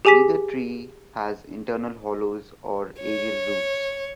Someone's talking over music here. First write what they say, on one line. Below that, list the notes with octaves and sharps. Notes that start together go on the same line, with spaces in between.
Neither tree has internal hollows or aerial roots.
G4 G#4 G#5 D6 B6
C#5